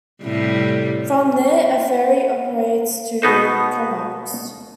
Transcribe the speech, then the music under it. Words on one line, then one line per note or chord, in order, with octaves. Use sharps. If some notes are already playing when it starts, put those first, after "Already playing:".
From there, a ferry operates to Comox.
A2 C3 G3
B2 B3 D#4 C5